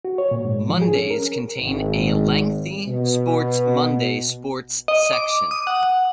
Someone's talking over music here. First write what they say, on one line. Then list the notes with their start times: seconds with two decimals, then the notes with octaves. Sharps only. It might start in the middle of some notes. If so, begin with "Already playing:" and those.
Mondays contain a lengthy "SportsMonday" Sports section.
0.05 F#4
0.18 C#5
0.31 A#2
0.45 G#2
0.69 F3
0.82 G#4
0.95 C#4
1.10 A#4
1.60 G#1
2.87 B2
4.88 D#5
5.13 D6
5.51 D#6
5.67 F#5